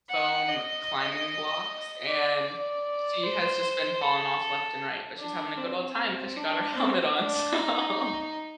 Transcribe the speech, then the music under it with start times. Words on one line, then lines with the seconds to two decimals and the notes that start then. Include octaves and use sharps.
foam climbing blocks and she has just been falling off left and right, but she's having a good old time ‘cause she got her helmet on, so
0.10 F#5
0.49 D#5
2.06 D5
2.45 D5
3.23 C5
4.02 A4
5.19 D4
5.58 C4
6.37 D4
6.75 C4
7.14 D4
7.54 D#4